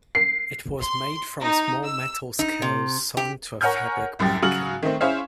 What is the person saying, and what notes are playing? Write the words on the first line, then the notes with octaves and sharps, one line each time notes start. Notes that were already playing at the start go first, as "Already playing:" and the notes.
It was made from small metal scales sewn to a fabric backing.
C7
C6
D#4
E6
D#4
C3
G4
A#4 C#5 F#5 G#5 F6 G6
C2 F#2 G4 A6
C#3 F#3 F#4 F6 F#7
D#3 A3 C4
C#4 E4 G#4 C5 C#5 F5